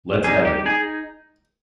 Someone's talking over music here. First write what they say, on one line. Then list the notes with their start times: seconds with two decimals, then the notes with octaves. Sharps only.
Let's have it.
0.24 G3 C4 D#4 G#4
0.45 G4
0.65 D#4 G#4